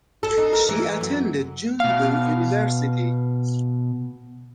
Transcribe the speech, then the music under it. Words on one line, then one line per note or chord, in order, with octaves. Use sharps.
She attended Joongbu University.
A4
D#4
A#4
E3
F#2
B2 F5